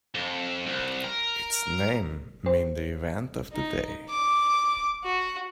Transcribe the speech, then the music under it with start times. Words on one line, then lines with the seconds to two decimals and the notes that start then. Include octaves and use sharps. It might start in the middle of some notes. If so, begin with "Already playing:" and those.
Its name means "The event of the day".
0.14 F2
0.66 C2
1.04 A#4
2.46 C5
3.53 D#4
4.10 D6
5.04 F#4